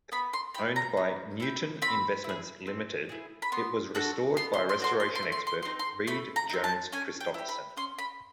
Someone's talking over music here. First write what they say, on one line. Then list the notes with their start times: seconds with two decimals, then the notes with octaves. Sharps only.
Owned by "Newton Investments Limited", it was restored by restoration expert Read Jones Christofferson.
0.12 B3 B5
0.33 C6
0.54 E4 G4 B5
0.76 A#5
0.97 B3
1.40 E4 G4
1.82 C4 B5
2.24 E4 G#4
2.67 C4
3.09 E4 G#4
3.42 B5
3.52 B3 C6
3.95 D4 F#4 A4
4.37 B3 C6
4.54 C6
4.69 C6
4.80 D4 F#4 A4 C6
5.00 C6
5.15 C6
5.23 A3
5.32 C6
5.47 C6
5.62 C4 D#4 C6
5.79 C6
6.07 A3 B5
6.36 A#5
6.49 C4 D#4
6.64 A5
6.92 C#4 G#5
7.21 G5
7.34 E4 G4
7.49 B5
7.77 C#4 C6
7.98 B5